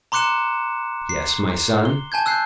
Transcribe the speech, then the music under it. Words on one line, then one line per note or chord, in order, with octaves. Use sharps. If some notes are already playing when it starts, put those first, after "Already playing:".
"Yes, my son?"
A#5 C6 D6 F#6 C#7 E7
C7
G7
G#5 A5 G6 G#6
E6 F#6 G6 C7